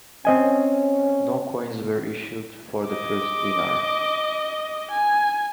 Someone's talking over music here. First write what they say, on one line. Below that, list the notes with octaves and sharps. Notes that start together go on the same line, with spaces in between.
No coins were issued for the first denar.
C4 C#4 D#5 G#5
D#5 D6
G#5